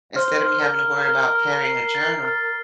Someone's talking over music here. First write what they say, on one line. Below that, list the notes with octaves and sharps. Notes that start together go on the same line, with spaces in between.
instead of me having to worry about carrying a journal,
C5 F6
F6
A#4
F6
A#4 F6
F6
C7
A6
F6